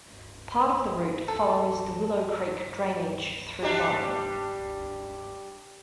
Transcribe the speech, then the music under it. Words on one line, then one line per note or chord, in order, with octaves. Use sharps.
Part of the route follows the Willow Creek drainage through Ione.
A4
G3 D4 G4